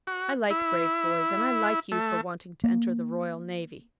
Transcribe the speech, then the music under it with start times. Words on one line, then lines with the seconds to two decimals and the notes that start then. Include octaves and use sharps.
I like brave boys, and I like you for wanting to enter the Royal Navy.
0.07 F#4
0.50 E4
1.92 A3
2.64 A#3